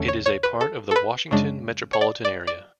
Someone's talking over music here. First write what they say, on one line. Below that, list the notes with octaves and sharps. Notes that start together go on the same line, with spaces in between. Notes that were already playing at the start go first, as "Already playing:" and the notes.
It is a part of the Washington metropolitan area.
Already playing: E2 D3 A3 C#4
C#5
C#5
B4
A4
A4
B4
F#2 C#3 G#3 D4
C#5
D5
D5
D5